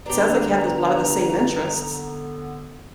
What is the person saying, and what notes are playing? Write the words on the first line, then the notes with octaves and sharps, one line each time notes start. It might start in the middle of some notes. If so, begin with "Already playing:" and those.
sounds like you have the a lotta the same interests.
G2 D3 B3 D4 G4 A#5